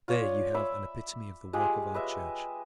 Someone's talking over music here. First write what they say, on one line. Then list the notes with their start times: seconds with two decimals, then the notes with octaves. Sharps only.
There you have an epitome of the work of our Church.
0.08 F4 C#5 D5
0.55 E5 B5 D6 E6
1.53 G#3 F4 G4
1.94 B4 D#5 E5